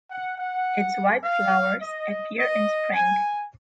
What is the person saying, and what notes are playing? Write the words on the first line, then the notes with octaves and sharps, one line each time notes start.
Its white flowers appear in spring.
F#5
F#5
F5
D#5
D#5
G#5